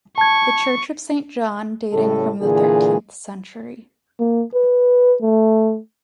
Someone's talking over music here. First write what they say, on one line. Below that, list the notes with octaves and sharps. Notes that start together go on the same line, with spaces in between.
The church of Saint John, dating from the thirteenth century.
A5 C#6 G#6
A2 C#3 G3 A4
A#2 D3 E3 G#4
A#3
B4
A3